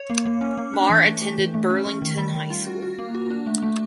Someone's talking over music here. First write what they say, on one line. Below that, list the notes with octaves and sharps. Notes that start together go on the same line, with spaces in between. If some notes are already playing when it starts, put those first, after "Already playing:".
Maher attended Burlington High School.
Already playing: C#5
A#3
A#3
C#4
A#3
D4
E3
A3
G4
E3
A3
C#4
A3
D#3
G3
D#3
F4
F#4
F#4
A#3
F#4
D4
A3
A3